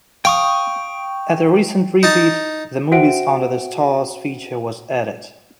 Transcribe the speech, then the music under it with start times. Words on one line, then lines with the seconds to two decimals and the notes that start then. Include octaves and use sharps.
At a recent refit, the "Movies under the Stars" feature was added.
0.25 F5 G5 C#6 D#6
2.03 D#4 A5
2.92 F#4 C5 E5 F#5 G5 D7